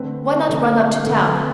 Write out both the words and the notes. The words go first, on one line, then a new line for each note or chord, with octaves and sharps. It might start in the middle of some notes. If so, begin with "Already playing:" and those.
Why not run up to town?
Already playing: D3 A3 C4 B4
D3 A3 C4
D3 A3 C4 A4
B4